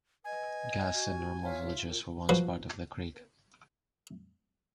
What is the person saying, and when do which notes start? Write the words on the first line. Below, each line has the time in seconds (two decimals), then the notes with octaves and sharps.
Gas and Nirmal villages were once part of the creek.
0.24 B4 D#5 G#5
0.93 F#4
1.42 F4 C#5 E5
2.29 F3 F#4 B4